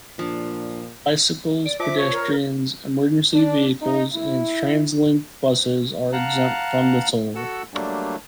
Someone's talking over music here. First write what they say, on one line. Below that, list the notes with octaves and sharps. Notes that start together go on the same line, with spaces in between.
Bicycles, pedestrians, emergency vehicles and TransLink buses are exempt from the toll.
A#2 F3 D4
D5 D7
F4 C5 E5 D6
C#5
A#4
D4
D#4
E4
F5 F#5 A5 A#5 F#6
F#4 A4 F#5 E6
F#3 G3 A3 A#3 D4